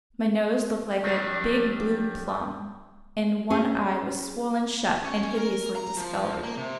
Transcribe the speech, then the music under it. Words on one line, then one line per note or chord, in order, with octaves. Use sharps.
My nose looked like a big blue plum, and one eye was swollen shut and hideously discolored.
F2 D#3 F#3 G3 D4
C#4 G#4
C#4
C#4
A#4
A#5
F3
A#3
C3